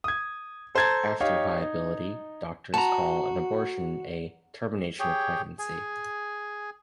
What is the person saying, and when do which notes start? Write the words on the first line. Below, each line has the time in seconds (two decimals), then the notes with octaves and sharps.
After viability, doctors call an abortion a "termination of pregnancy".
0.04 D#6 G#6
0.75 A4 C5 A5 A#5 G#6 A6
1.21 D#4 G4 C#5 F5
1.60 D#4
2.74 F#4 A5 A#5
5.00 G4 G#4 C#5 G5
5.59 G#4 G#5